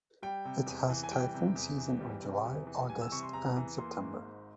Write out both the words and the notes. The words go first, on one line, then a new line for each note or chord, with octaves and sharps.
It has typhoon season on July, August and September.
G3 G5
C3
E2
E3
G#5
G3 G5
C3
E2
E3
G3
C3
E2
E3
G3 G#5
E6
C3 C#6
C6
E2 A#5
E3
A#3 C6
G#2
G#1